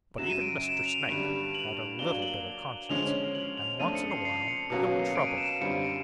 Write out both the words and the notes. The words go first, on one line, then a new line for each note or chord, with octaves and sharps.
But even Mr. Snake had a little bit of conscience, and once in a while it would trouble him.
F#2 C#3 F#3 E7
D#7
D7
D#7
E7
F7
G2 D3 G3
F#7
F#7
F#3 A#3 D4 G7
F#7
D3 F3 G#3 C#4 F7
F#7
F7
F2 C#3 F3 A3 D4 D#7
C#7
C7
C7
C#7
B2 F#3 A#3 C#4
C#7
D7
D#7
E7
D7
F#2 D3 G3 C4 F4 C#7